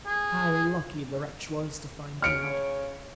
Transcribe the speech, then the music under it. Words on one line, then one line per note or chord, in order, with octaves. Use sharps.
How lucky the wretch was to find me out!
G#4
C#3 C#5 F6 C#7 D7